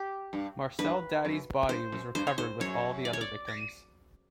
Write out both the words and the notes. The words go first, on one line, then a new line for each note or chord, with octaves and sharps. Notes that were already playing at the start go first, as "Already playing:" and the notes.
Marcel Dadi's body was recovered with all the other victims.
Already playing: G4
G2
G2 B4
F#2
G2 C5
F#2
G2 C5
C#5
G#2 C5
F#2 C#5
D5
C#5
D5